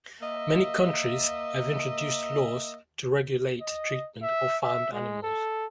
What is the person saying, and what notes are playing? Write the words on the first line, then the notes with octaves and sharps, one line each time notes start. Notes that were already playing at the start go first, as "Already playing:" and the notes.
Many countries have introduced laws to regulate treatment of farmed animals.
A#3 D#5 E5
D#5
E5
E5
G#3
A4